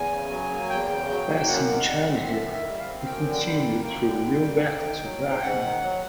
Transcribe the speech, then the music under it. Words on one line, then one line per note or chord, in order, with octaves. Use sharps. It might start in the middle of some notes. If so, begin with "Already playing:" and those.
Passing Chernihiv, he continued through Liubech to Brahin.
Already playing: E2 G#5
C#3
F#3
A#3
E2 G5
C#3
F#3
A#3
F#2 F#5
D#3
G3
C4
F#2 E5
D#3
E5
G3
F5
C4
F#2 G5
D3
G5
G3
G5
A#3
F#2 G5
D3
G3
A#3
G#2
D#3
F#3
G#2
G#2 F#5
D#3
F#3